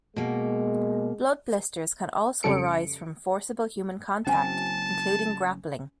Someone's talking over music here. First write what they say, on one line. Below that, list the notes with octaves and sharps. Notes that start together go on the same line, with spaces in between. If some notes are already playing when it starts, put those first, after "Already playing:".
Blood blisters can also arise from forcible human contact, including grappling.
B2 G#3 A#3
F2 C#3 G3 A4 C#7 D7
F#1 F#2 C4 C#4 G#5 A5